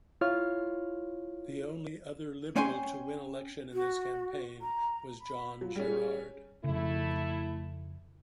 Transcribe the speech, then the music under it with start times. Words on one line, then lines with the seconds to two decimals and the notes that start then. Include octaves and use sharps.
The only other Liberal to win election in this campaign was Jon Gerrard.
0.21 E4 F4 C#5 F6
2.56 C#4 C#5 G5 G#5 C6
3.74 F#4
4.62 A#5
5.20 B5
5.61 F#3 F4
5.76 G3 C#4 G#4
6.64 F2 C#3 A3 E4